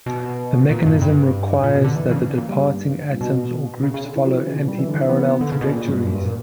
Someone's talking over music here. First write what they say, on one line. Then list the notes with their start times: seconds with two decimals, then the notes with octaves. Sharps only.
The mechanism requires that the departing atoms or groups follow antiparallel trajectories.
0.06 B2
0.70 A#2
0.86 G2
1.02 G2
1.63 A#2
1.75 B2
1.84 D3
1.95 E3
2.11 C#3
2.38 A#2
2.48 G2
3.12 A#2
3.21 B2
3.83 C#3
3.94 C#3
4.05 D3
4.15 E3
4.26 F#3
4.36 E3
4.47 C#3
4.57 B2
4.68 G3
4.78 E3
4.88 D3
4.99 E3
5.09 B3
5.41 D3
5.52 C#3
5.61 B2
5.72 A#2
5.88 G2
6.04 F#2
6.15 G2
6.25 A#2